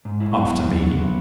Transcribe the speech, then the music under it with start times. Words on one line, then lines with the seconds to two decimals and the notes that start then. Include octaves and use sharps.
"After me?"
0.05 G#2
0.20 E4
0.36 B3
0.51 F#3
0.67 F#3
0.82 F#3
0.98 B3